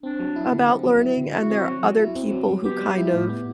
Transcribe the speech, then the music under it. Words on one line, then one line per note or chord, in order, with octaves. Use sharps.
about learning, and there are other people who kind of
C4 D4
F#3
E4
D3
C4
F#3
E4
D3
E4 F#4
C4
F#3
F#3
E4
C4
F#3
F#3
B3 G4
G3
E4
A2
B3